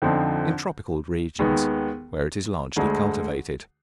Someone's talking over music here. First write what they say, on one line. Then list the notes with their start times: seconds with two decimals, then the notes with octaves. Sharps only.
In tropical regions, where it is largely cultivated.
0.02 F2 D3 F3 C4 D#4
1.39 D#2 D#3 G#3 B3
2.76 D2 D3 G#3